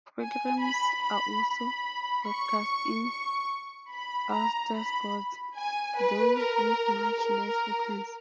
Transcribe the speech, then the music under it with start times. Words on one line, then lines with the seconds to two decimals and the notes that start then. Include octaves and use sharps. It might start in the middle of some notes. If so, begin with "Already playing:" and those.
Programmes are also broadcast in Ulster Scots, though with much less frequency.
0.20 G#5
0.61 B5
1.03 B5
1.43 B5
2.26 C#6
3.09 C#6
3.90 B5
4.32 A#5
4.73 B5
5.55 G#5
5.96 B4
6.38 A#4
7.20 A#4